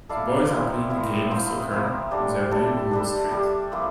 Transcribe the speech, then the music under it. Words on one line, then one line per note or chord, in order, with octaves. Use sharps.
The boys are playing a game of soccer on their neighborhood street.
E4 A4 D5 F5
F3 C4 E4 A#4
F3 C4 E4 A#4
F3 C4 E4 A#4
F3 C4 E4 A#4
G3 D4 A4
G3 D4 A4
G3 D4 A4
G3 D4 A4
F3 A#3 E4